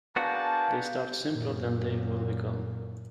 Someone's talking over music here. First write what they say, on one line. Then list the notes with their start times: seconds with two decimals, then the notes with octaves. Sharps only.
They start simpler than they will become.
0.16 A#3 B3 D4 F#4 G#4 F5 G5 A5
1.32 F#2 A#2